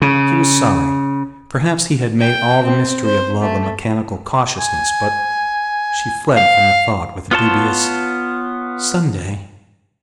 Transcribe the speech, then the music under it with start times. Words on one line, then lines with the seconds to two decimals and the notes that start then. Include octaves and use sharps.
She was sorry----Perhaps he had made all the mystery of love a mechanical cautiousness but----She fled from the thought with a dubious, "Some day."
0.02 C#3
2.19 G5
2.64 C4
3.05 C5
3.42 A3
4.60 G#5
6.36 F5
7.31 B3 F4 C#5 A5 C6